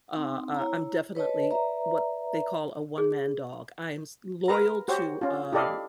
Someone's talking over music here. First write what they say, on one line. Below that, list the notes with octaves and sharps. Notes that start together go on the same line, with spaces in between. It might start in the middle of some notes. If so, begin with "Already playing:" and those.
uh, uh, I'm definitely what they call a one-man dog, I am s loyal to, um,
C4 D#4
E4 C#5 A#5
B4 C#5 D#5 A5
B4 D5 E5 A#5
G#4
A#4 B4 A#5
F#4 G4 C5 C#5
C#4 F4
E4 G4 A4 D5 D#5 F5